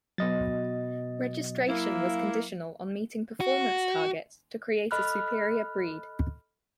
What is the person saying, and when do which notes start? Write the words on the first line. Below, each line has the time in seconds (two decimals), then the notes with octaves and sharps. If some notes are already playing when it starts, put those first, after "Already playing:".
Registration was conditional on meeting performance targets to create a superior breed.
0.18 B2 F#3 D#5 A6
1.69 A#3 E4
3.40 F#4
4.91 A4 D#5 B5 F6 F#6